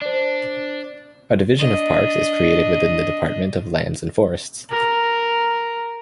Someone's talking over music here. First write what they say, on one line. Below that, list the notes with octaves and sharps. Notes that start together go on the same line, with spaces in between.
A Division of Parks is created within the Department of Lands and Forests.
D4 C5 D5
D4 D#5
A#4